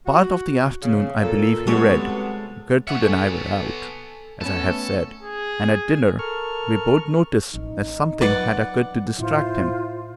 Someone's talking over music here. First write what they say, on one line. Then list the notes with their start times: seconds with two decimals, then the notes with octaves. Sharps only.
Part of the afternoon I believe he read--Gertrude and I were out, as I have said, and at dinner we both noticed that something had occurred to distract him.
0.06 F#4
0.82 C#3
1.22 A#2 A4
1.67 C3 F#3 G#3 B3 A4 C#5
2.88 B3 C#5 E5 F#5
3.02 A4 G#5
4.41 A3 B3 C#4 A4
5.23 G#4
6.19 A4 A#4 C#6 F6
7.54 A1 D#4
8.21 F#3 F4 B4 D5 F#5
9.19 A2 E4 F4 C5